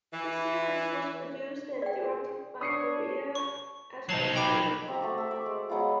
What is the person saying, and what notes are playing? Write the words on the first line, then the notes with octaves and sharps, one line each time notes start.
The series was produced and directed by Maria Esposito.
E3
G#4 D5 G5
D4 C#5 D#6 C7 C#7
C#6
F#3 D#4 C5 A5 C7
G5 B5 D6
C4 G4 A#5
A3 F#4 D5
A4 E5
D5
G#3
F#3 G#3 B3 F4